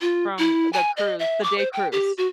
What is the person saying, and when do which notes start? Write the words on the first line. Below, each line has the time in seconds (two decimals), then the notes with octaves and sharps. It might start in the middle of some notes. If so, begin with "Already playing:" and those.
from the cruise the day cruise.
0.01 F4
0.39 E4
0.73 G#5
0.97 D#5
1.19 E5
1.43 D6
1.58 C5
1.73 G5
1.92 G4
2.18 F#4